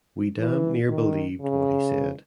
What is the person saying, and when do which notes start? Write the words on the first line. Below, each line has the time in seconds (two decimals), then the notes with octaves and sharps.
We damned near believed what he said.
0.39 E3
0.89 D#3
1.41 C#3